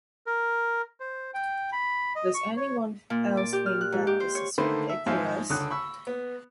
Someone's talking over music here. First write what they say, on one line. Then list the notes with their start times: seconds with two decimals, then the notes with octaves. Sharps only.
Does anyone else think that this is ridiculous?
0.26 A#4
1.00 C5
1.34 G5
1.72 B5
2.15 D#5
2.34 C#6
2.56 C#5
3.10 A#2
3.37 D5
3.53 G4
3.66 F6
3.81 F#6
3.92 G#2
4.07 G4
4.20 C5
4.35 C#5
4.58 D3 D#3 A3 A#3 B4 C5
4.89 E5
5.06 G#2 F3 G#3 E5 F5
5.50 C#2 D3 D#6 F#6
5.71 B5 C#6 E6
6.07 B3